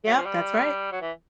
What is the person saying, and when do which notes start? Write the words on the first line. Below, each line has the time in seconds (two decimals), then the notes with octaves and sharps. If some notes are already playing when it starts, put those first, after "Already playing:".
Yeah, that's right.
0.06 F#3
0.17 F3
0.26 G3
0.92 F#3
1.01 E3